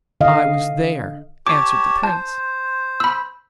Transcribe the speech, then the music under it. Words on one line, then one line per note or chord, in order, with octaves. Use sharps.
'I was there,' answered the prince.
D3 D#5 F5
G4 C#5 A5 D6
C5 A5
B5 E6